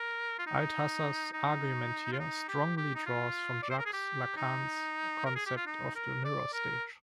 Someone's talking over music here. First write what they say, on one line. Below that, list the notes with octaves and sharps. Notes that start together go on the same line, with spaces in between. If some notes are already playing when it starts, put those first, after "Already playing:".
Althusser's argument here strongly draws from Jacques Lacan's concept of the mirror stage.
Already playing: A#4
F4
D#4
D#4
F4
D#4
G4
G4
D#4
F4
D5
C5
A#4
G#4
G4
D#4
A#4
G#4
G4
F4
D#4
A#4
D5
A#4